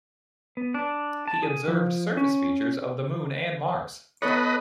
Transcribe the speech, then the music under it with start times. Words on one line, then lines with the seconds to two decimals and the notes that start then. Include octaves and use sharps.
He observed surface features of the Moon and Mars.
0.57 B3
0.74 D4
1.28 A5
1.43 G#4
1.68 F3
2.17 C#4
4.22 B3 A4 B4 C#5 D#5